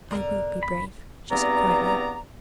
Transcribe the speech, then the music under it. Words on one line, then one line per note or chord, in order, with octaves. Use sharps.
"I will be brave," she said quietly.
E1 D3 A#4
G#1 B5
E2 G2 B3 C4 D5 A#5